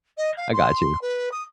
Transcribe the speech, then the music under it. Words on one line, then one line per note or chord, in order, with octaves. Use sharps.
I gotchu."
D#5
F5
C6
B4
D#6